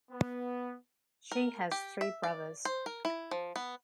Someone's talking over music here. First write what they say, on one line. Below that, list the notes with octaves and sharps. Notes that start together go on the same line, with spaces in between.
She has three brothers.
B3
A#4
G4
E5
D5
C5
A#4
E4
F3
B3